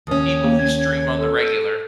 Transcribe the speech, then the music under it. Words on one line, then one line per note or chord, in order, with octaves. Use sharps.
people who stream on the regular.
D#2 C#4 D#6
A#3
G#6
A4